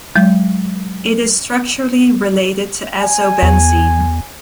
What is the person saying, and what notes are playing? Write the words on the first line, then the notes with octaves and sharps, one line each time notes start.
It is structurally related to azobenzene.
F#3 G#3
G#5
E2